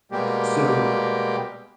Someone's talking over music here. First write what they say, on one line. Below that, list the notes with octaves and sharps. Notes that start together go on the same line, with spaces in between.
so I
B2 G3 G#3 A#3 G4